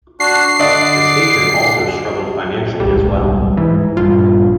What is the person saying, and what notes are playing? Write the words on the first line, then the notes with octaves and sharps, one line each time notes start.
The station also struggled financially as well.
D4 F#4 C7
D3 D5 D#5 D6
D1 B1 G#2 G3
G#2 E3
A#1 G2 F4